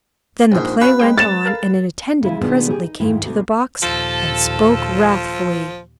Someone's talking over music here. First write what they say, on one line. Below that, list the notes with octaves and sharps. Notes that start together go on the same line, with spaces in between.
Then the play went on, and an attendant presently came to the box and spoke wrathfully.
A#1 G#2
C#4 F#4 B4 F5
G#3 C5 G5
A6 E7
A4 A#4 F5
C#3 G#3 E4 F4
B2 D#3 B3 D4 F4 G#4
G4 G#4
D#4
F2 G#2 D#3 E3 E4
D2 B2 D3
D#2 A#2 F3 A4